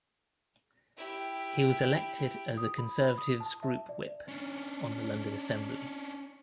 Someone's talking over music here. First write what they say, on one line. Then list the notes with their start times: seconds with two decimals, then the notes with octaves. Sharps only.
He was elected as the Conservative's Group Whip on the London Assembly.
0.97 E4 G4
2.57 D#6
2.78 B5
3.18 D#6
3.40 A5
3.63 E5
3.89 D5
4.28 C#4 D4